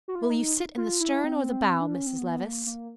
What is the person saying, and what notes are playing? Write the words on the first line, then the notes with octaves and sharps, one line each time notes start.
"Will you sit in the stern or the bow, Mrs. Levice?"
F#4
F4
E4
D#4
F4
E4
C4
D4
C#4
C4
B3
A#3
A#3